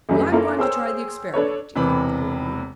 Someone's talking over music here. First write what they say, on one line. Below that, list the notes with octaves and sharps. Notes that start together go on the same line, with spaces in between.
"Well, I'm going to try the experiment," declared the Boolooroo.
C#2 F#2 D3 F#3 G3 A3
A#3 C#4 E4 F4 A4 A#4
G#4 A#4 C5 C#5 G5 E6
D4 A4 B4 C#5
E1 C3 E3 B5